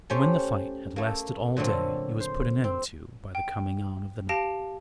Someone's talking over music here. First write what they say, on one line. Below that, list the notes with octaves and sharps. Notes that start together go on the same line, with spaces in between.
And when the fight had lasted all day, it was put an end to by the coming on of the night.
A3 C#4 G4 C5 C#5 G5
A3 A#3
A#2 D3 F#3 A3 C4
C5
C4
G5
G4 F5 A5 A#6 D7